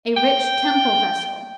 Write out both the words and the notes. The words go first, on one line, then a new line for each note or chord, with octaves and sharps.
A rich temple vessel.
G5